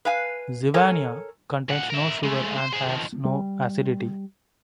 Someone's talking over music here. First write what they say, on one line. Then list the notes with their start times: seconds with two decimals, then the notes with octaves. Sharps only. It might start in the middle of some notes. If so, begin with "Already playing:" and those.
Zivania contains no sugars and has no acidity.
0.05 B4 F5 G#5
0.74 A4 A#4 C#5 G#5
1.69 A#2 F#5
1.90 A#4 E5
2.23 G#3 A3
2.58 C5
2.73 G#4 C5
2.89 D#3 F3
3.25 G3